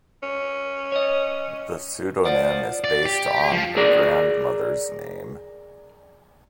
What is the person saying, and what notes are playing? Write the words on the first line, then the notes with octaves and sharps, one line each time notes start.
The pseudonym is based on her grandmother's name.
C#4
C#5 D#5
F3 D5 F#5
D5
G4
F3
G#4 A#4 D5